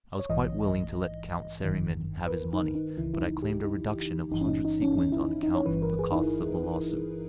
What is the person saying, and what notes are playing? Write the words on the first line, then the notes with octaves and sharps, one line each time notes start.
I was quite willing to let Count Seriman have his money, but I claimed a reduction of a hundred sequins on account of the costs of the lawsuit.
C#5
A#1 G#2 E3 D#5
G1 G2 D#3
B4
A#4
D#4
D#4
C#2 C#3 E3 E4
E4
D#4
G4
D#4
G1 G2 E3 D#4
C#4
D#4
D#4
C#4
C#4
E4
D#4
D#4
C#5
G1 G2 E3 B4
A#4
G#4
D#4
E4